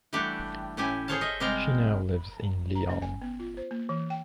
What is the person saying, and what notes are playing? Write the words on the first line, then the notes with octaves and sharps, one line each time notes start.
She now lives in Lyon.
E3 G3 A3 D4 G4 F#5
A2 C#4 E4 G4 G#5
G#4 A4 C5 C#5 F5 A5
D#5 E5
C3 G3 G#3 F5 G5 A#5
A#5
C#4
G#5
B3
F4
C5
A#3
E3
G5